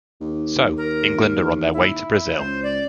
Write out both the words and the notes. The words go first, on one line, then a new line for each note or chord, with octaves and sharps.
So, England are on their way to Brazil.
D#2
A#4
E4
C#2 C5
D5